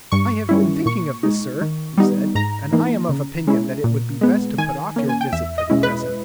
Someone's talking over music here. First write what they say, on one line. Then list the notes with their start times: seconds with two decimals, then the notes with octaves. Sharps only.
"I have been thinking of this, sir," he said, "and I am of opinion that it would be best to put off your visit for the present."
0.12 G2 C#6
0.49 D#3 G3 C#4 E4
0.86 A#2 C#6
1.23 G#3 D#4
1.61 D#3
1.98 G3 B3 D#4
2.35 G#2 A#5
2.72 E3 A#3 D#4
3.09 C#3
3.47 G#3 C#4 E4
3.84 A#2
4.21 G#3 B3
4.58 D#3 G#5
4.96 A#3 C#4
5.09 G#5
5.21 G5
5.32 E2 E5
5.58 D#5
5.70 B2 G#3 C#4 E4
5.83 B4